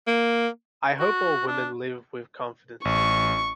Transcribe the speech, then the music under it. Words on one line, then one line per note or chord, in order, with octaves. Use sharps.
I hope all women live with confidence.
A#3
F#4
D4
A1 C#6